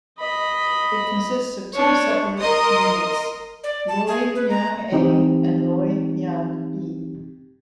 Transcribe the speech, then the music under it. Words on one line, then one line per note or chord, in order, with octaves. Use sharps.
It consists of two separate units, Loy Yang A and Loy Yang B.
D#5 B5
D4 C#5
A#4 D#5 C6 D#6
D5
A5
G#4
B4
A#5
E3 C4 D#4 G4